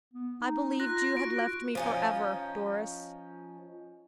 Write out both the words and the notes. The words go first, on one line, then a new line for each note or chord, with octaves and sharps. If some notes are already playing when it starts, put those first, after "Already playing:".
"I believed you had left me forever, Doris."
B3
D#4
F4 F#6 A#6
F#4 D7
F3 C#4 D#4